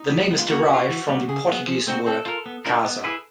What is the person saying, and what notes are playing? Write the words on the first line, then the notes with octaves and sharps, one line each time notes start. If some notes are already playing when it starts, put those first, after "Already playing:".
The name is derived from the Portuguese word "casa".
Already playing: D#4
E3
G#3 B3
F4
A#3 F#4
C#4 F4
E3
G3 B3
C#3 G#4
F#3 B3
F3
A3 C4 D#4 F#4
C4 A4
F4 A#4
B3
D4 F4 A#4
B3
E4 G#4 B4